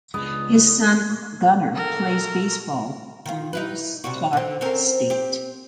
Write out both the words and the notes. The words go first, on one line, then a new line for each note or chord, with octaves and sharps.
His son, Gunnar, plays baseball for Lewis-Clark State.
C#2 G#3 B3 D4 D#6
A4 A#4
D#3 F4
D#4 E4 B4
C3 G3 F#4
D3 C4
C4 C#4 A#4
C4 G4